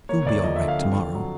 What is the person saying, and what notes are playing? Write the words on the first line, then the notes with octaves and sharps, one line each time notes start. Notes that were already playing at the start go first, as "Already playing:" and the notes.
"You'll be all right tomorrow."
A#3 C#5
D2 D5
F3 D#5
E5
D3
F5
F2
F2
F#3